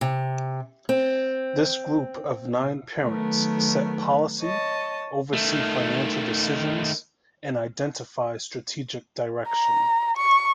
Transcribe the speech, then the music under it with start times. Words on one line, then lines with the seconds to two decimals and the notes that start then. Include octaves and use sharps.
This group of nine parents set policy, oversee financial decisions and identify strategic direction.
0.01 C3
0.89 C4
3.03 D#3 F#3 A3 B3 A#4
4.41 C#5 D#5 A5
5.33 D#3 A3
9.49 A#5
10.17 C#6